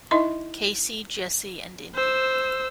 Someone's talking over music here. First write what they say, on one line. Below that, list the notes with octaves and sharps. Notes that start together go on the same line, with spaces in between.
Casey, Jesse, and Indi.
D#4 E4 D#5 E5 C6 C#6
C5 E6